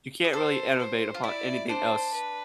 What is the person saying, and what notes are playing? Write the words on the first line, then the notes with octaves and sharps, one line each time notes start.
You can't really innovate upon anything else
G#4
A4 C5
C5
F4
E4 D5
D4 C5
B4